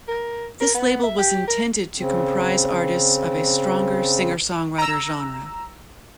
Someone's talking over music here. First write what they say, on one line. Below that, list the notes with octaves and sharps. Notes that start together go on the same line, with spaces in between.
This label was intended to comprise artists of a stronger singer-songwriter genre.
A#4
A#4
B3
E5
G4
A#4
C#3 C4
A#5 E6